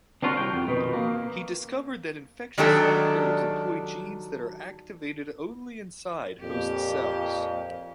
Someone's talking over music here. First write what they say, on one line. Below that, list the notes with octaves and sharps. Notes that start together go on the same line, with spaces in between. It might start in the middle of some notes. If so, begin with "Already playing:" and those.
He discovered that infectious microbes employ genes that are activated only inside host cells.
C4 D4 F4 F#4 A#4
C2 G5
F2
B2 D#3
A#3
D#3 F#3 G#3 D4 G4 A4
F2 A#2 G4